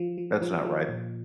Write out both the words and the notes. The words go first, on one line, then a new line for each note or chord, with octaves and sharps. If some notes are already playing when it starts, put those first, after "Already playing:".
That's not right.
Already playing: F3
F3
F3
F3
A#2